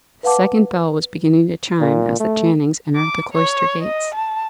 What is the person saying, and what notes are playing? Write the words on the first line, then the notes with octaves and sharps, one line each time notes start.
The second bell was beginning to chime as the Channings entered the cloister gates.
B4 F5 F#5 A5 D6
A#2
A3
D6
C#5
D#5
A5